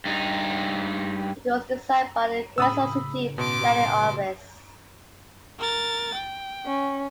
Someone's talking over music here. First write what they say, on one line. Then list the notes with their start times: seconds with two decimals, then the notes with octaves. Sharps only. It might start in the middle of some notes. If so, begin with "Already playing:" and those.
It was designed by the Quezon City Planning Office.
0.05 G2 D#4
2.58 A2 C#3 B5 D#6 E6
3.38 B2 C6 D6
5.59 A#4 A6
6.14 G5
6.66 C#4